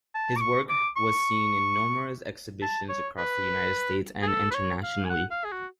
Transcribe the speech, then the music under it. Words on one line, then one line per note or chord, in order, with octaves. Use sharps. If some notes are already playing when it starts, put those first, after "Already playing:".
His work was seen in numerous exhibitions across the United States and internationally.
A5
D6
C#6
D6
C#6
A5
C#5
B4
G#4
A4
B4
C#5
F5
G#5
F#5
F5
G#4
F#4